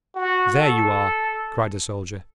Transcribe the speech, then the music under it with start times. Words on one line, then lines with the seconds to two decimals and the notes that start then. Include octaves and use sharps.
There you are!' cried the Soldier.
0.15 F#4
0.58 A4